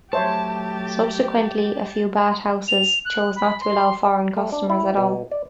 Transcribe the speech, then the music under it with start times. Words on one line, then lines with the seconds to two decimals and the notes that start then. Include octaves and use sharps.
Subsequently, a few bath houses chose not to allow foreign customers at all.
0.13 F#3 A3 G4 C5 C#5 E5 A5
2.67 F7
3.05 F#6
3.35 B5
3.60 C6
4.37 A3
4.52 D4
4.70 E4
4.97 B2
5.31 D5